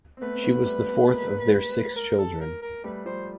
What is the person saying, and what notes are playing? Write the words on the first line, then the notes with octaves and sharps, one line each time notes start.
She was the fourth of their six children.
C4
A3 B3 B4
C4
A3 B3
G3 A3
A3 B3
G#3 A#3
A#4
A4
A#4
A#4
G3 A3 B4
F3 G3 C5